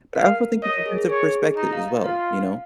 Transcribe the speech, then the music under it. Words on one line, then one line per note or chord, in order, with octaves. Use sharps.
But I also think there's a sense of perspective as well, you know?
A#4 F5
C#5 D#5
A#4
G#4
G#4
G#4 C#5
D#4 A#5
F5
D#5
F4 F5